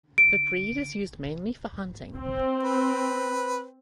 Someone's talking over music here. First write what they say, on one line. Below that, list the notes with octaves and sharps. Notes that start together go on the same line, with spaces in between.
The breed is used mainly for hunting.
D7
C4
B4